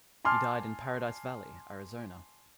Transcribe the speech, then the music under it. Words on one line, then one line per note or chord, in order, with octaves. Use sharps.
He died in Paradise Valley, Arizona.
G#5 A5 C6 D6 F6